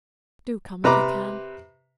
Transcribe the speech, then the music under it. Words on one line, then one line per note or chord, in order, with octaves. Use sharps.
Do come if you can.
C3 B4 A#5 D6